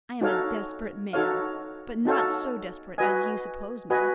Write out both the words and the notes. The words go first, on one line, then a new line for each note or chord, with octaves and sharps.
I am a desperate man, but not so desperate as you suppose me.
D#4 F#4 A4 C#5 F5
D#4 F#4 A4 C#5 F5
D#4 F#4 A4 C#5 F5
F#4 B4 D#5 G#5
F#4 B4 D#5 G#5